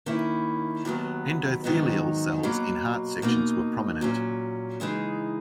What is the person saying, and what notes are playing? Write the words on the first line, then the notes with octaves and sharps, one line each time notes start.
Endothelial cells in heart sections were prominent.
D#3 A#3 C#4 E4
D#2 D#3 F#3 B3
G#2 D#3 F#3 B3 D#4
B2 F#3 A#3
B2 A#3 D#4
A#2 F#3 C#4
C#3 E3 G#3 D#4